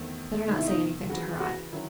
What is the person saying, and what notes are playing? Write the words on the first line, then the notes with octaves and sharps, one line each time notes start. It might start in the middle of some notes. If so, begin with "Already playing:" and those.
"Better not say anything to her either."
Already playing: E2 D#3 A3 C4
E2 C3 D#3 D#4
E4
D#4
C#3 E3 C4 F#4
F#4
D#3 F#3 C#4 E4